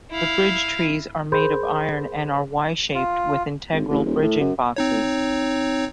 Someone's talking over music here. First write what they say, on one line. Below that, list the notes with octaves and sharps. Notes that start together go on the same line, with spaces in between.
The bridge trees are made of iron and are Y-shaped with integral bridging boxes.
E4 F5
G#4 A#4 C5 B5 C6 G6
F4
G#1
A1
D#1
A2
F#2
C4 D#4 C#5